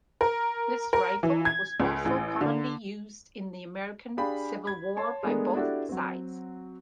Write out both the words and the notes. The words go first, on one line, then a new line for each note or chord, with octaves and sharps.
This rifle was also commonly used in the American Civil War by both sides.
A#4
A#4
E3
G#6
C#2
A1
D3
D4 G4 G#4 F5 G5 B5
B5 G#6
C#5 A5 C6
G#3 A3 B3 D4 A4 A#4
D4 E4 F#4 G4 A4
F#3 C4